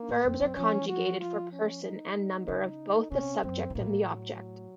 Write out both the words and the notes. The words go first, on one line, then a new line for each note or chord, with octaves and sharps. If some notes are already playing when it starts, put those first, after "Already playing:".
Verbs are conjugated for person and number of both the subject and the object.
Already playing: A#3
A2
F2 C4
F#2
F3 C#4
F#4
F4
C#4
D#4
C#3
C3 C#4
F#2 C4
F#2
A2 A#3
F#3